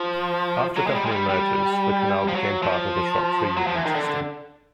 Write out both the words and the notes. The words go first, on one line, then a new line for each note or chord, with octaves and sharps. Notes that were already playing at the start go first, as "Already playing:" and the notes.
After company mergers, the canal became part of the Shropshire Union System.
Already playing: F3
F#3
G#3
G3
G#3
G3
G3
F3
F#3
F3
F#3
F3
E3
D#3
D3